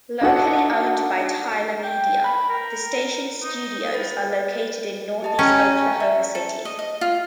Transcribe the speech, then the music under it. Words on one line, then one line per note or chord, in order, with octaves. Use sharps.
Locally owned by Tyler Media, the station's studios are located in Northeast Oklahoma City.
D4 D#4 F#4 A4 F#5
G5
B5
A#4
D#4
B4 A6
G4 D#5 A5
C#4 G5 G#5 A#5
E5
A4
D#5
D#5
F4